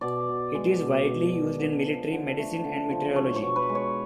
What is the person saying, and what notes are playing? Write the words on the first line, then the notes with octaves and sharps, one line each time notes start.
It is widely used in military, medicine, and meteorology.
B2 D5
B2
G#3
B2
B2
B2
D3
F3
D3
A3
D3
F3
G#3 C#5
C#5
B2
B4
G#3
C#5